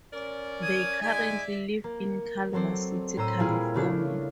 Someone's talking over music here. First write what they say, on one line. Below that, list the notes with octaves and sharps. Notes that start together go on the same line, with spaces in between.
They currently live in Culver City, California.
C#4 A#4 D5
D#6 G#6
G#3 D#4 D5 E5 G#5
A#3
F#3 C4 A4 C5 D5
A2 C5 A#5 E6 D#7
A#2 G3 E4 F4 G#4 A#4
C#3 A3 D4